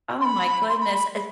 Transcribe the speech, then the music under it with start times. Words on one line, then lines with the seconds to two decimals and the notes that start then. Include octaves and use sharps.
oh my goodness, i
0.20 C6
0.24 B5
0.68 C6
0.80 B5
0.93 B5